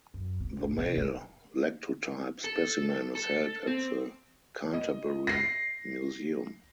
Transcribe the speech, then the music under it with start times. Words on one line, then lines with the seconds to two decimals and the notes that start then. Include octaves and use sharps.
The male lectotype specimen is held at the Canterbury Museum.
0.14 F#2
0.40 C3
0.64 G#2 B2
0.78 C3
0.97 D4
2.44 A4
3.15 A4
3.67 C4
4.73 D#5
5.27 A#6 C7